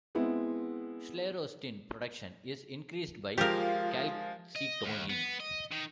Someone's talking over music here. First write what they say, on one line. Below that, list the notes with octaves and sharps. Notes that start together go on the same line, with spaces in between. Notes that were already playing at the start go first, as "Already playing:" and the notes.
Sclerostin production is increased by calcitonin.
G#3 B3 C4 E4
F3 G#3 F4 G4 A#4 F5
D#5
D#2
B3
D#5
D#3